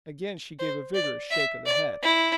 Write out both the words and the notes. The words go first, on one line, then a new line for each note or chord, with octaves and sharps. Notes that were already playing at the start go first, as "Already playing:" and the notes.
Again she gave a vigorous shake of the head.
C5
D5
E5
D5
E4